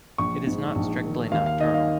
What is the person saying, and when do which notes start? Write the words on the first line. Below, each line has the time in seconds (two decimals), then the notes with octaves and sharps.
It is not strictly nocturnal.
0.18 A#1 C#6
0.47 G#2
0.75 A#1
1.04 D#3
1.32 D#2 F5
1.46 F5
1.60 D#3 D#5
1.74 F5